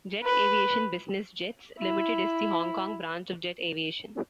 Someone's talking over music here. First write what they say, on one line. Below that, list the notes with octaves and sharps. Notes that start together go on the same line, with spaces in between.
Jet Aviation Business Jets Limited is the Hong Kong branch of Jet Aviation.
B4
E4